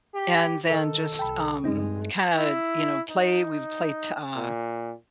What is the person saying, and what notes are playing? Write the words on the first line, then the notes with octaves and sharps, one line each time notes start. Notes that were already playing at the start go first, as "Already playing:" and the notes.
And then just, um, kinda, you know, play we've played, uh,
G4
D#3 A4 A#4 D#5
C2 G5 A5 B5
G2 G#3 C4 D#4
E4
D#4
A#2